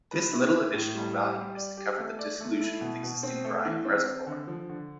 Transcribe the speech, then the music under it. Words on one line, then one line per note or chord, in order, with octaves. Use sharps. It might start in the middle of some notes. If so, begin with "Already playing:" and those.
This little additional value is to cover the dissolution with existing brine in reservoir.
B4
E4
E4
A2
G3
G4
G3
D5
G4
A3
D5
A3
E4
B2
B2
C4
A3
E3
C4
C4
D3
F3
D3